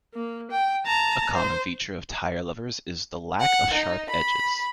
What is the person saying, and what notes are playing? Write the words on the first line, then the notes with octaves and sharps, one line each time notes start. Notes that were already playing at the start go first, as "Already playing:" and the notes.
A common feature of tire levers is the lack of sharp edges.
A#3
G5
A5 A#5
C5
F#5
D#4
B5